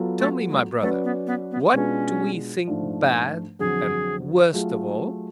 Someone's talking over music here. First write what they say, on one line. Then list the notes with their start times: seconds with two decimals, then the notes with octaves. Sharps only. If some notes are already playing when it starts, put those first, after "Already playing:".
Tell me, my brother, what do we think bad, and worst of all?
Already playing: F#3 B3 F4 A4
0.18 A3
0.50 G#3
0.81 F#3 A3 C#4 F#4 B4 D5
1.04 B3
1.27 B3
1.51 B3
1.73 B2 G#3 C#4 D4 F4 B4
2.67 G#2 F3 A3 D4 F4
3.59 F2 D3 F#3 G#4
4.53 F#3 A3 F4 G#4